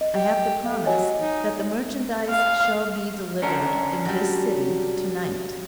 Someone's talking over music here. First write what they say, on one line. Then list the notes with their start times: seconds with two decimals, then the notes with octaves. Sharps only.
I have the promise that the merchandize shall be delivered in this city to-night.
0.01 D#5
0.15 G4
0.66 A3 F5
0.86 F#3 C#5 D#5 G#5
1.19 D#4
2.31 F5
3.42 C#4 D4 A#4
4.05 F#3 G3